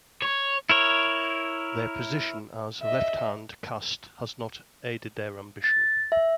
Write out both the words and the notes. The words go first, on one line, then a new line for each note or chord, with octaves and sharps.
Their position as a left-hand caste has not aided their ambition.
C#5
E4 A#4 C#5
D#5 E5
A6
E5